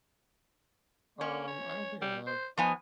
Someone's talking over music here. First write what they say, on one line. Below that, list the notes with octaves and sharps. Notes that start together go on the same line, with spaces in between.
Um, I don't think I have.
A#3 C#4
C#5
G3
C5
F3 B3 D#4 G#5